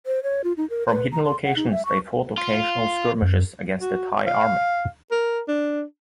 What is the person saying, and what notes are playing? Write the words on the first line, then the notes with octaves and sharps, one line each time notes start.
From hidden locations they fought occasional skirmishes against the Thai Army.
C5
C#5
F4
D#4
A#4
B4
A#5
C6
F#5
D#4
E5
C#6
F4
F#2
F#4
F5
A#4
D4